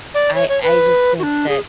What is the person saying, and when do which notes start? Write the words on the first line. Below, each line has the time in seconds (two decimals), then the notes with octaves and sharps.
I I just think that
0.14 D5
0.35 C#5
0.49 C#5
0.63 B4
1.19 F#4
1.23 D4
1.49 G#4